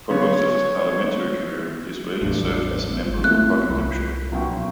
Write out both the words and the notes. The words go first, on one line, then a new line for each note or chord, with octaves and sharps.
For most of his parliamentary career, Disraeli served as a member for Buckinghamshire.
C#3 B3 C#5
A1 E2 G2 D4
G#1 F4
A3 B3 C4 E4 F#6
C2 B5
B1 C#4 G5 C#6